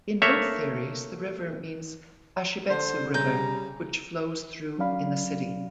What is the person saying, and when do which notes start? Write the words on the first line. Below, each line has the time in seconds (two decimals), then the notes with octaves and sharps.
In both theories the river means Ashibetsu River, which flows through in the city.
0.22 A3 A#3 C#5 E5
2.70 D3 C5
3.14 C#3 G3 A#5 G6
4.79 F#3 C#4 D5 F5 B5